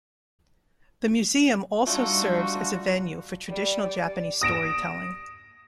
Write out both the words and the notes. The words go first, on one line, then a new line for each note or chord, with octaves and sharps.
The museum also serves as a venue for traditional Japanese storytelling.
G3 A3 D4 D#4 F4 F#4 C#6
G3
D5
D#6 A#6 D7 E7